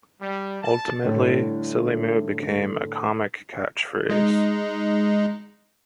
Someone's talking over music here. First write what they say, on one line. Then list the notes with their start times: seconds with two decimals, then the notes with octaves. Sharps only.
Ultimately "silly moo" became a comic catchphrase.
0.21 G3
0.63 A5
1.04 A2 D3 G3 A3
4.10 G#3 D#4